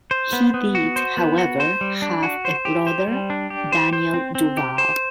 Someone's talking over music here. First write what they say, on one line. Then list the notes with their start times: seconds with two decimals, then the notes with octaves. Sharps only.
He did however have a brother Daniel Du Val.
0.11 C5
0.33 B3
0.54 B3
0.75 F#4
0.96 C5
1.17 B3
1.38 F#4
1.60 C5
1.81 G3
2.02 D4
2.23 F#4
2.45 C5
2.65 G4
2.87 C5
3.08 G3
3.30 D4
3.50 G4
3.72 C5
3.93 C5
4.14 C4
4.35 C4
4.57 G4
4.78 C5